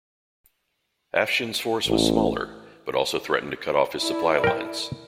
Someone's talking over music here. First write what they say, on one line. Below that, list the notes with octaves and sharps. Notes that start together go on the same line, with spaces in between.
Afshin's force was smaller, but also threatened to cut off his supply lines.
A1
E4 A4 D5
A#4 G5